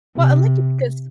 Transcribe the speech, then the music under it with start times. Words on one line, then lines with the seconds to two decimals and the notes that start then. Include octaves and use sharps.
Well, I like it because,
0.15 C3